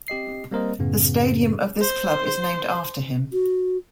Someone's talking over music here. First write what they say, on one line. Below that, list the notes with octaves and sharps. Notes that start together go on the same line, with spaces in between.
The stadium of this club is named after him.
C4 G4 D#5 C7
G3 A#3 C4 A#4 C5 D#5
F#2 A2 C#3 B3
C5 C6
F#4